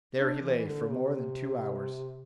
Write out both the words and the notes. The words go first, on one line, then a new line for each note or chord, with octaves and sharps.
There he lay for more than two hours.
D4
E3
D3
C3